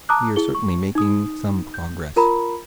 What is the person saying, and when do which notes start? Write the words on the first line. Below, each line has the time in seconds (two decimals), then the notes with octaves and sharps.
We are certainly making some progress.
0.09 A5 A#5 D6 D#6 F#6
0.36 E4 G#4 G7
0.55 C#6
0.95 D#4 D#6
1.74 G6
2.16 F4 A#4 A#5 B5